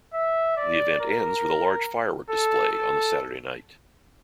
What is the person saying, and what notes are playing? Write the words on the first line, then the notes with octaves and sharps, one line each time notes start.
The event ends with a large firework display on the Saturday night.
E5
D5
A#4
A4
A4